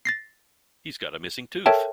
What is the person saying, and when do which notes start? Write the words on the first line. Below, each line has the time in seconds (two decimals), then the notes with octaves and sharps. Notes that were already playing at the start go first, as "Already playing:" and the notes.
He's got a missing tooth!
0.05 A6 A#6 C7
1.66 A4 A#4 C#5 E5 G5 A5